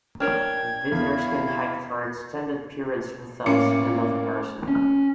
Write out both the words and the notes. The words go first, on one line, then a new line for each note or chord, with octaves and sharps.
Visitors can hike for extended periods without seeing another person.
D4 A#4 C#5 G5 F6 G#6
E2 E4 F5 B5
A1 A#3 C#4 D6 C#7
C#4